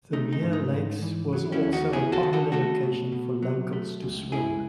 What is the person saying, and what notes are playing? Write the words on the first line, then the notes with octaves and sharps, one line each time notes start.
Thirlmere Lakes was also a popular location for locals to swim.
A3 D#4
D#4
G#2
D#4
G#2
E3
F#3
C#4 E4
D#2
D#4 F#4
B3 E4 G#4
F#4 A4
D#3
F#4 A4
A3 F#4 A4
B2
B2
F#3
A3
C#2
C#2 E4 G#4